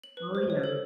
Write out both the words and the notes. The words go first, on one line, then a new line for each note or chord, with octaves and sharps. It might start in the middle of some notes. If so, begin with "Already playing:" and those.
Oh, yeah.
F#7
B4
C5
C#5
A4